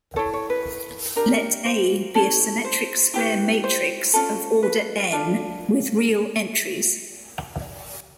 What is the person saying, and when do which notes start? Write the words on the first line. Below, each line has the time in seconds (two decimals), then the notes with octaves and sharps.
Let "A" be a symmetric square matrix of order "n" with real entries.
0.16 E4 A4 C#5
0.33 C#5
0.50 B4
1.16 D4 G4 A#4
1.65 C5
2.15 C#4 E4 A4
2.64 C5
3.14 E4 G4 B4
3.64 C5
4.14 C#4 F4 A4
4.63 B4
5.12 D4 F4 A4